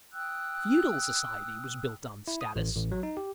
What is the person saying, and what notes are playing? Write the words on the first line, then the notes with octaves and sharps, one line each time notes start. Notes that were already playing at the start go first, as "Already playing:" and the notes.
Feudal society was built on status.
G5 D#6 E6 F#6
E4
D#6
A1
A1
F#3
D#4
G4